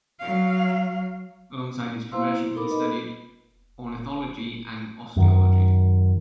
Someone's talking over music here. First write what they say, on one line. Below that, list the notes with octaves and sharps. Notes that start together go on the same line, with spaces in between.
Alongside his profession he studied ornithology and osteology.
F#3 F5
A#3 E4 C5 F5 C6 E6
E4
D#4 A4 A#4 B5 D6
B4 D#5 B5
F#2 D#3